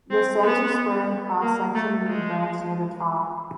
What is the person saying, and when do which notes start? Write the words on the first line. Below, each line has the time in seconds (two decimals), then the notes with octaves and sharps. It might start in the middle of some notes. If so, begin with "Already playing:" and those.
The stems are square in cross-section and may branch near the top.
0.11 C4
0.43 B3
1.42 A#3
1.75 A3
2.07 G#3